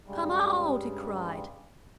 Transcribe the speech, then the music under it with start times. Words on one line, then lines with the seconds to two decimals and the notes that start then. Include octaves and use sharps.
"Come out!" he cried.
0.07 G2 C#3 G3 G#3